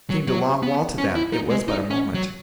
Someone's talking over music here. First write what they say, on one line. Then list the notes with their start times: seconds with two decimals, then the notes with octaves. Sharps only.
It seemed a long while to them--it was but a moment.
0.10 F#3
0.27 F#3
0.63 B3
0.98 C#4
1.15 E4
1.33 D#4
1.50 G#3
1.68 D#4
1.90 C#4
2.14 F#3